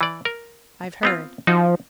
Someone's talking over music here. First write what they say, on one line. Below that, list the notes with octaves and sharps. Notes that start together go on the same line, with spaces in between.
"I've heard."
E3 D5
A#4
B3 C4 F4
F3 D#4 F#4